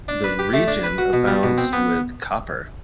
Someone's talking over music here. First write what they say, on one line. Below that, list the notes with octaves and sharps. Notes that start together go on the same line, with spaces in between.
The region abounds with copper.
D4
B4
G4
A3
D4
B4
F#4
B2
G3
B2
C4
B3